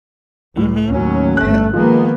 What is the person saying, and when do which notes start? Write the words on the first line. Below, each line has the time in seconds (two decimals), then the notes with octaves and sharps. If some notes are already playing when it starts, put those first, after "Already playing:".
Mhm, yeah.
0.57 C#2 A2
0.88 D#2 F#3 C#4
1.37 G1 A3 F#6
1.74 D#3 F3 G#3 A#3 B3